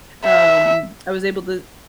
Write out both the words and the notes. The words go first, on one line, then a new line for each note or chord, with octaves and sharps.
um, I was able to
E5